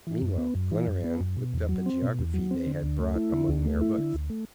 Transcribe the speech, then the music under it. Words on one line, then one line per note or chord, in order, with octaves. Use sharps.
Meanwhile, Glenarvan looked up a geography they had brought among their books.
E3
F#2
B3
F#2
E3
F#2
B3
F#2
B2
E2
F#3
C4
B2
E2
F#3
C4
D3
D2
A3
E4
D3
D2
A3
E4
D3
D2
A3